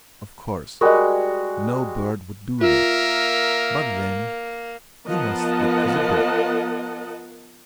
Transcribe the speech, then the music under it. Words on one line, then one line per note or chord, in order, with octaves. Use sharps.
Of course no bird would do that, but then you must stick to the book.
G3 G#3 F#4 A#4 D#5
A#3 F4 A#4 E5
F3 B3 A#4 D#5 F#5 A5